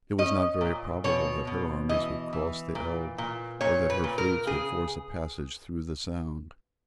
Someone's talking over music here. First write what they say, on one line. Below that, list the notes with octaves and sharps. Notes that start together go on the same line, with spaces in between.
It was not very probable that her armies would cross the Elbe, or that her fleets would force a passage through the Sound.
C#4 D#5
A#2
B2 C#5
B2
E3 D#5
E3
A#2
A#2
A#2 C#5
B4
A#2
A#4
C#3 G#4